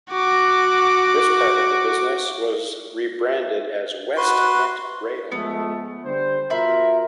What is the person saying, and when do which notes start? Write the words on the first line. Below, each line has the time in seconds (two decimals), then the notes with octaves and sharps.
This part of the business was rebranded as WestNet Rail.
0.10 F#4 D6
4.17 F#4 B4 C6
5.32 F3 G#3 A3 B3
6.04 D3 G3 C5
6.50 B2 F4 A#4 E5 B5 C6